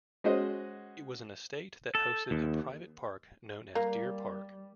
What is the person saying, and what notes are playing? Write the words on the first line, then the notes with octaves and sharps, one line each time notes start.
It was an estate that hosted a private park known as "Deer Park".
G#3 C#4 F#4 C5 D#5
A4
D#2
G3 A#3